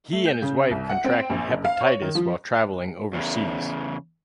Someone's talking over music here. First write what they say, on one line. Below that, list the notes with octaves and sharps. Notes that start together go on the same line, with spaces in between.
He and his wife contracted hepatitis while traveling overseas.
A3
G6
C#3
C2
F#5
C4
A#1
F#1
F5
C#5
D#3
F3
E2 C#3